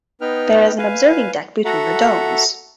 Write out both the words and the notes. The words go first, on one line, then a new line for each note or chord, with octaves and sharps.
There is an observing deck between the domes.
B3 D#4 B4 G5 F6
B4 F5 G#5
F#4 A4 E5 F#5 A#5